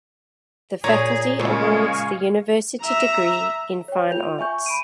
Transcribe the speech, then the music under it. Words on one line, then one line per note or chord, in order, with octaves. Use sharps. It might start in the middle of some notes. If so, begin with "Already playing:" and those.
The faculty awards the University Degree in Fine Arts.
A#2 G#4 C#5 A#5 G#6
A#2 C#3 G#3 F5 G#5 C#6
E5 A#5
C#5 G5
F4 G5 G6 F7
E5 G#5 C#6 G6
B5 D7 D#7